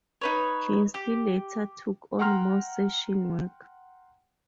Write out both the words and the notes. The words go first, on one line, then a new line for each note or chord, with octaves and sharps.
Kinsley later took on more session work.
D#4 B4 C#5
G4
F#5 G5 A#5 C6 F6